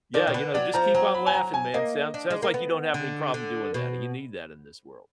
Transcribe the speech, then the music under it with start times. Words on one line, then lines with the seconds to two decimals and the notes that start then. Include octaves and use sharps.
yeah, you know, just keep on laughing, man. Sounds sounds, like, you don't have any problem doing that, and you need that in this world.
0.14 D#3 D5
0.27 B2
0.34 D3 B4
0.54 F#3 D5
0.74 F3 A#5
0.95 F#3 A#5
1.14 B5
1.26 G#5
1.34 A#5
1.54 G#5
1.74 A#3 D#5
2.14 D4
2.30 G#3
2.43 A#3
2.54 B3
2.94 D3
3.34 D3
3.74 B2